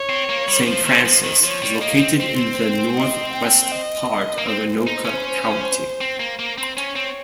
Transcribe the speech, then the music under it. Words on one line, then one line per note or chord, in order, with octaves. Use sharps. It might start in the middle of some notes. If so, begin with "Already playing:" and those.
Saint Francis is located in the northwest part of Anoka County.
Already playing: C#5
C4
A#3
G3
F3 C5
D#3
F3
D#3
F3 C#5
G3
A#3 D#5
C4
C4 C5
D#5
G5
D#5
A#3
C4 C5
D#4
C#4
C4
A#3
A#3
C4
C#4 C#5
C4